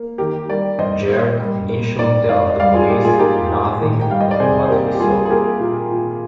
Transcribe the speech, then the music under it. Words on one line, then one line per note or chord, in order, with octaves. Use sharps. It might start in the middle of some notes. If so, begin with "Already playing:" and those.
Jared initially tells the police nothing of what he saw.
Already playing: A#3
D#3 G4 A#4
G3 A#4 D5
G2 C5 D#5
A#3
G3
A#3
G#2 A#4 D5
G#2 D5 F5
D#5
G3 D5 F5
F4 G#4
A#3 G4
F4 G#4
G#2 G4 A#4
G#2
D#3
G5
G3 F5
D#5
D5
C3 G#4 C5
C5
A#3 G4 A#4
G4
G3 F4 G#4
G#4
A#3 G4 A#4
A#2
A#2